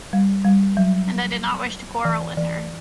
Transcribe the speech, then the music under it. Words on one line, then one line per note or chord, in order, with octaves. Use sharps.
And I did not wish to quarrel with her.
G3
G3
F#3
E3
E3